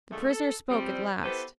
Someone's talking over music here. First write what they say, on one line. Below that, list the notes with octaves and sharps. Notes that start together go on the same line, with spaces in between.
The prisoner spoke at last.
A#2 D3 G#3 A3
A4
F2 G3 C4
B3 E4 G4 A4 B4 C5